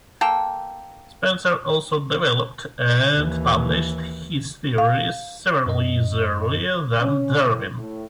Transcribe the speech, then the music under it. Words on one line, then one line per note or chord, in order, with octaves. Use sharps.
Spencer also developed and published his theories several years earlier than Darwin.
A#3 A4 G5
D#2 E3
F5
F#2 D#5
C#4
A2
A2